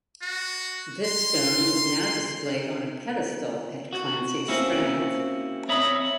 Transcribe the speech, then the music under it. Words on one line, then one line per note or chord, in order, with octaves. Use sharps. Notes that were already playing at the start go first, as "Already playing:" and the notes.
This stone is now displayed on a pedestal at Clancy Strand.
F#4
C6
F#4
A#3 C4 C#4 E4 F#4
C4 C#5 D#5 E5 B5